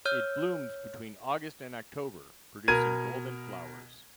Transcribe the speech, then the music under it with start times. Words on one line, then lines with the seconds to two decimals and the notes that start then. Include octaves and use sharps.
It blooms between August and October producing golden flowers.
0.05 C#5 E6 F6 G6
2.68 B2 A#4 G#6 D#7